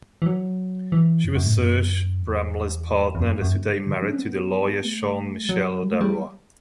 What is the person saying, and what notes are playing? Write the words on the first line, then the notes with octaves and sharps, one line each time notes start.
She was Serge Bramly's partner and is today married to the lawyer Jean-Michel Darrois.
E3
F#3
E3
F#2
F#2
A2
F#2
E2
E2
F#2
F#2
G2
D3
F#3
D4
C#4
B3
A3
G3
F#3
G3
A3
G3